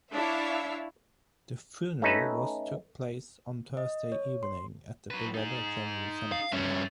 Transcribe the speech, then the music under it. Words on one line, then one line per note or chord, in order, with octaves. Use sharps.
The funeral was took place on Thursday evening at the Borella General Cemetery.
D4 E4 C#5 E5 F5
A3 C#4 D#4 A4 B4
D#5
C#5
C6
F#3 B4
D#4 G#4
F5
G2 C#4 C#5 E5